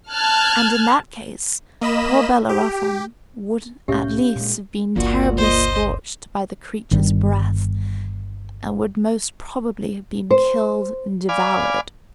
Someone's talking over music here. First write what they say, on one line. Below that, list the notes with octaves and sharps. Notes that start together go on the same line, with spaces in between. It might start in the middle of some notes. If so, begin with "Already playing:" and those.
And in that case poor Bellerophon would at least have been terribly scorched by the creature's breath, and would most probably have been killed and devoured.
A5 F6 F#6 G#6
A#3 D#5 B5 E7
G4
C2 A2 C#4 G4 E5 F5 G6
A#2 G#3
G1 C#2 A#2 F#4
C5 D#5
G1 G2 D#3 G3
C5
D5 F5 G#5 B5